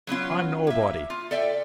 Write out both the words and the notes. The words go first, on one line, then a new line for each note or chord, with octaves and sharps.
I'm nobody.
F#3 B3 C#4 F4
A#3 E5
F4
A4 D5 E5 G5